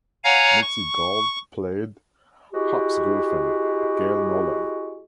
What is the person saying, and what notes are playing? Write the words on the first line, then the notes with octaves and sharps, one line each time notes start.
Mitzi Gould played Hop's girlfriend, Gail Nolan.
C#5 F5 F#5 G#5 A#5
C#6
G#3 E4 F#4 G4